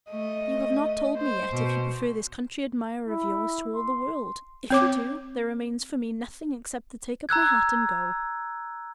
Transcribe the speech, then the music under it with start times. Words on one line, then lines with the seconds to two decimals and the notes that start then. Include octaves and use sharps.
You have not told me yet if you prefer this country admirer of yours to all the world; if you do, there remains for me nothing except to take up my hat and go.
0.11 A3 D#5
1.17 C5
1.52 B2
3.08 E4
3.75 C6
4.70 C4 C#5 D6
7.29 A#5 E6 F#6 G#6